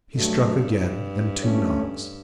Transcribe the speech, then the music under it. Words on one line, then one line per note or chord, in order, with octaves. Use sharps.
He struck again, and two knocks.
G2 F#3 A3
G2
A3 C#4